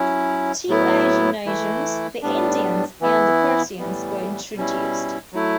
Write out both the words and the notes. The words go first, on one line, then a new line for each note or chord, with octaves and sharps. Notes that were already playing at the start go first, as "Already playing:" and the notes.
Two Asian nations, the Indians and the Persians, were introduced.
Already playing: F#3 C#4 E4
A2 F#3 B3 E4
E3 A3 E4
A2 G3 B3 D4
E3 B3 E4
A2 E3 G3 B3
B2 G3 C#4 E4
F#3 A3 E4